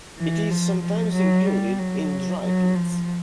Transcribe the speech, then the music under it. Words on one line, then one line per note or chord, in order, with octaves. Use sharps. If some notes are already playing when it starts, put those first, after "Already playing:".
It is sometimes included in "Drypetes".
E3
F3
F3
F#3
G3
F#3
F#3
F3